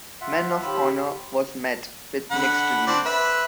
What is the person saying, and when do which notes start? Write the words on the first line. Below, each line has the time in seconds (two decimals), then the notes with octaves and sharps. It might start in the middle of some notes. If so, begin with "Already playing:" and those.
"Men of Honor" was met with mixed reviews.
0.21 F4 E5 F#5
0.62 D#2 F4 G4 B5 E6
2.31 D3 F#5 B5
2.87 C4 D4 D5
3.05 B4 E5